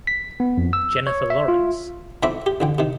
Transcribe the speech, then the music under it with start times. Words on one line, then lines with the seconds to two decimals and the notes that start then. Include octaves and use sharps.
Jennifer Lawrence.
0.07 B6
0.40 B3
0.57 F2
0.73 E6
1.07 C#5
1.30 E5
1.48 F4
2.23 B1 F2 C4 E5 B5 D6
2.46 G4
2.60 A1 D2 G5
2.78 C3 D#3